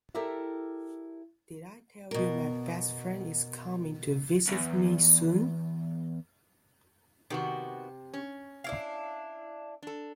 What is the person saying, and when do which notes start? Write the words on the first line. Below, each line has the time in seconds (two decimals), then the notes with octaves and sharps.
Did I tell you my best friend is coming to visit me soon?
0.15 E4 G4 A4 A#4 D5 E5
2.11 B2 A#4
4.48 B1 E2
7.30 C3 D#3 B3 F#4
8.14 C#4
8.64 D4 E4 F5
9.82 D4 A4